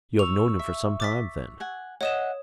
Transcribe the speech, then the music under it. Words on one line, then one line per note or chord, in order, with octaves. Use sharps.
"You have known him for some time, then?"
C#6 E6 F7
E5
D6 A6 B6
F#5 G#5
C#5 D#5 E5 F#5 D#6 E7